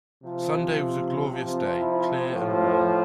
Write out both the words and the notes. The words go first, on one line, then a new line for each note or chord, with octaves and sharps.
Sunday was a glorious day, clear and warm.
C3 F3
C3 F3 C4
E4
A2 F3